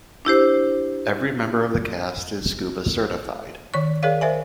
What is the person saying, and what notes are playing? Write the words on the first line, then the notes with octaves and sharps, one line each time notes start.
Every member of the cast is scuba-certified.
D4 E4 G4 C5
D#3 C#5 C#6
G#4 A#4 C#5 D5 F5
A#4 C5 E5 G#5